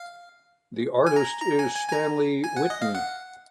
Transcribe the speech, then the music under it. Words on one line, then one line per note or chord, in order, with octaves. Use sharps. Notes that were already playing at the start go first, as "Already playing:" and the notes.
The artist is Stanley Witten.
Already playing: F5
G#5
A#5
A#5
G#5
G#5
G#5
A#5
G#5
F#5
D#5
F5
F#5